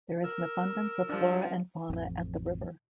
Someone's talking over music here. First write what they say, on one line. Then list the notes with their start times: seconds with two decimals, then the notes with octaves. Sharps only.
There is an abundance of flora and fauna at the river.
0.24 A#4 E6
1.09 F3 G3 D4
1.90 A1 F2